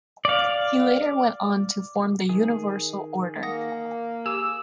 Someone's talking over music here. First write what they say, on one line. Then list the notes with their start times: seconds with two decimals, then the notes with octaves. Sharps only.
He later went on to form the Universal Order.
0.25 D5 F5
2.29 D#3 G#4
3.43 A#3 F#5 D#6 A#6
4.26 G4 G#4 G#5 D6 E6